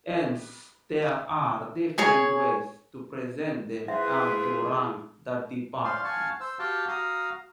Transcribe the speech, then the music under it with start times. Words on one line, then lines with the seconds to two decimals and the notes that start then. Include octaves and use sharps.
Hence, there are different ways to present them and to rank the departments.
1.98 G#4 C#5 G#5
3.88 E4 F4 G#4 B4 C5 E5
5.84 C#4 C5 D5 F5 C6
6.04 F5 F#5 G#5 A5 C#6
6.40 C5 E6
6.59 F#4 G4 F5 G5 A5
6.88 F#4 F5 A#5 D#6